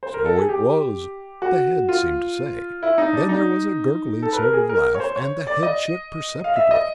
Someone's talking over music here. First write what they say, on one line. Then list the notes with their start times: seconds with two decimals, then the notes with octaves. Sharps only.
"So it was!" the head seemed to say; then there was a gurgling sort of laugh, and the head shook, perceptibly.
0.03 C5
0.14 A#4
0.25 A4
0.38 G#4
0.49 G4
1.42 F#4
1.89 F4
2.83 E4
2.98 D#4
3.13 D4
3.29 D#4
4.22 A4
4.33 B4
4.38 A#4
4.53 G#4
4.69 A#4
4.95 C#5
5.00 C5
5.16 C#5
5.47 D5
5.63 D#5
6.44 F5
6.56 E5
6.71 D#5